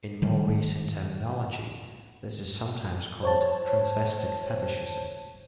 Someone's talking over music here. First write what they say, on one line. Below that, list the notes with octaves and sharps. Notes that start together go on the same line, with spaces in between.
In more recent terminology, this is sometimes called transvestic fetishism.
D#3 G3 G#3
C5 C#5 A5